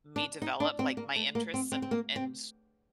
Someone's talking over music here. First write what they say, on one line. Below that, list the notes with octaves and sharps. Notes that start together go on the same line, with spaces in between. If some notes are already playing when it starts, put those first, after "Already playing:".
me develop like my interests and and
D4
D#4
D4
C4
A#3
A3
A#3
C4
C4
C4
A#3
C4